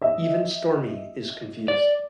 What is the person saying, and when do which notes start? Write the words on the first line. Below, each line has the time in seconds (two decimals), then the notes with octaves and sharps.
Even Stormy is confused.
0.01 D#5 E5
1.68 D5